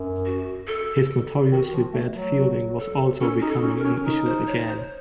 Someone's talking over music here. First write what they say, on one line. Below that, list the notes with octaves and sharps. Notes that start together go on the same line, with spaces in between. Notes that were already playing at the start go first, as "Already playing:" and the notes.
His notoriously bad fielding was also becoming an issue again.
Already playing: F#2
F#4
A4
F4
D#3 F#4
F3
A3
F#3
F#4
A4
C#4 A4
D#4 F#4
A4
C#4
A#4
C#4
D#4 A#4
C5
C#5
C5